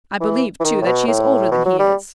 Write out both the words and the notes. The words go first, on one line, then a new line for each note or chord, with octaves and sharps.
I believe, too, that she is older than he is.
E3
E3
D#3
A2
B2
A2
B2
F#3
G3